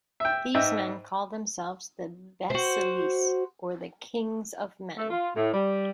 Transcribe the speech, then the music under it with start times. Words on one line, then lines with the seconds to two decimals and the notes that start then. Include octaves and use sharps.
These men call themselves the "basileis", or the "kings of men".
0.20 E5 G5
0.54 G#2 D#5 E5 G5
2.50 F#4 C5
4.98 A3
5.11 F4
5.36 A2
5.54 G3